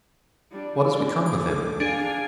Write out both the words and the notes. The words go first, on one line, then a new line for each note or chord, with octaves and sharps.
What has become of him?
G3 D4
D4
G#4 A4 D6
D4 G#4 F5 G#5